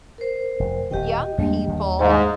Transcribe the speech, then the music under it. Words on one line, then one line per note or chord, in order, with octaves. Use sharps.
young people
A#4 C5
F1
D#1 B2 G4 D#5 G5
E2 G3 G#3 A#3 D4
D#2 D#3
G#2 G#4 C5 D#5 F5